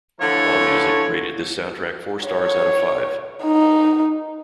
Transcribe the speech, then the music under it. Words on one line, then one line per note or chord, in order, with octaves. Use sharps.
"Allmusic" rated this soundtrack four stars out of five.
D3 E3 F3 A3 A4 C#5
C#5
D#4